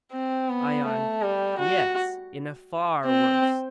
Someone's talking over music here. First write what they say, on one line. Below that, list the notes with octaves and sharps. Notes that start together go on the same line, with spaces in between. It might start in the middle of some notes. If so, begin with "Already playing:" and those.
ION: Yes, in a far worse.
C4
B3
A3
G3
F#4
C4